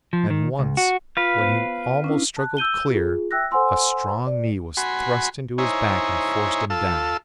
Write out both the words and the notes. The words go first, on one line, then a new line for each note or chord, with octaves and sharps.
And once when he almost struggled clear, a strong knee was thrust into his back and forced him down.
F3
D#3
C#2
F#4
F4 B4 F5
B3 C5
C#4 D4 E4
A5 F#6
E6 G6 D#7 G7
F4 G#4
E5 G5 E6 F#6 A#6
A4 C5 F#5 G#5 C6 E6
D5
F#4 G#5 B5 C6
D#4 E4 C5 C#5 G#5 A#5
F4 A4 E6